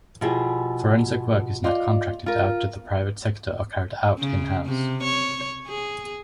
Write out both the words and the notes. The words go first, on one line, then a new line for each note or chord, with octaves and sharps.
Forensic work is now contracted out to the private sector or carried out in-house.
B2 F3 E4 G4 G#4
F4 D5 D#5
F4 A#4
C#3
C3
C#5
G#4